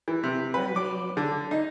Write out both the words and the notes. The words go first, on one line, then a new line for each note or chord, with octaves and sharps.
And the
E3
C3
B4
D6
D3
D#4